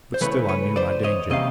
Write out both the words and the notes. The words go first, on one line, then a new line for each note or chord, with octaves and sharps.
But still I knew my danger.
C5
C#3 E3 A3 B4 C#5
B4 C#5
C5 D5
C#5 D#5
C3 D#3 G3 A#3 C#4 D#5 F5